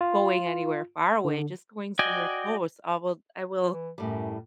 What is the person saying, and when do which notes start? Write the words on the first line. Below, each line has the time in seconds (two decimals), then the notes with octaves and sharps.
going anywhere far away, just going somewhere close. I will I will
0.01 F4
1.25 D3
1.99 F#4 D5 D#5 G5 G#5
3.72 E3
3.98 F#2 A2 G3